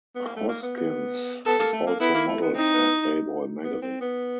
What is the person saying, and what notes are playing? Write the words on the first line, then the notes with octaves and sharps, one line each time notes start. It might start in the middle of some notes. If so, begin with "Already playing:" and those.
Hoskins has also modeled for "Playboy" magazine.
B3
A#3
A3
A#3
B3
B3
B3 A4
A#3
A3
A#3
B3 E4
A#3
A3
B3
C4 D#4
B3
B3
C4
B3